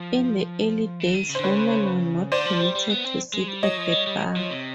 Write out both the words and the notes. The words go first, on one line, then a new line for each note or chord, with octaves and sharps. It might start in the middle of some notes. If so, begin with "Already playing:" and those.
In the early days women were not permitted to sit at the bar.
Already playing: F3
E3
D#3
C#3
C5
D3 B4 C#5
C#3
D3 C5 D5
F3
G3
G3
B3
C4
G#3
G3
F#3 C#5 D#5
F3
G3
G3
F3
C3